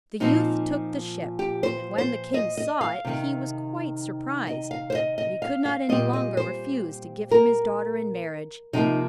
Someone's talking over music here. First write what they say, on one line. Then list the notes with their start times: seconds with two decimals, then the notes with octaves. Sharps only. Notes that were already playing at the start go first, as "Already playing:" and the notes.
The youth took the ship, and when the king saw it he was quite surprised; but he could not any longer refuse to give him his daughter in marriage.
0.20 A#2 F3 C4 D#4
1.39 G4
1.63 C5
1.98 C5
2.34 D#5
2.57 D#5
2.81 F5
3.05 C3 D#3 C4
4.47 D#5
4.71 F5
4.90 C5
4.95 D#5
5.18 D#5
5.42 F5
5.65 F5
5.89 A#2 G3 C4 D#5
6.13 D#5
6.37 C5
7.31 A#4
8.73 C3 F3 A#3 D#4